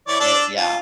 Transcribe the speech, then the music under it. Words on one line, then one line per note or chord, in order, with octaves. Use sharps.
it yeah.
E3 C#5 D5
D4 A4 D5
F4